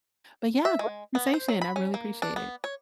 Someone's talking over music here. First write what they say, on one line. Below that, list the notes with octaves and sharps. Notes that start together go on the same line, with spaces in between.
But, yeah, gr conversation. I really appreciate it.
E5
G#3
B3
C5
F#3
B5
C#4
A#3
D4
B3
C#5